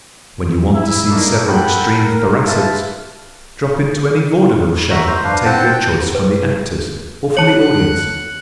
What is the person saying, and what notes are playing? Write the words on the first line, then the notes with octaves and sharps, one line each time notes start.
When you want to see several extreme Thoracics, drop into any vaudeville show and take your choice from the actors or from the audience.
E4 E5
A3 A#3 D4 D#4 A4 D5
A4 A#4 F#5 G5 B5
A#4
F4 B4 E5 A5
A3 F#4 E5 A#5
C5
D4 B4 F5
C4 C5 F#5 A5
G5
B4
C#5 A5 F#6 C#7 F#7